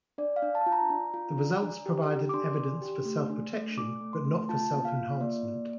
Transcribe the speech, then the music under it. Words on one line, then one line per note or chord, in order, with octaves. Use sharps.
The results provided evidence for self-protection but not for self-enhancement.
D4 D5
F5
D4
A5
F4
A#5
D4
F4
D4
D4
G4
G4
D6
D4 C6
D4
G4
A3
D4
A3
D4 D6
A3
C6
A3
F4 A5
A#3
F5
F4
A#3 D5
A#3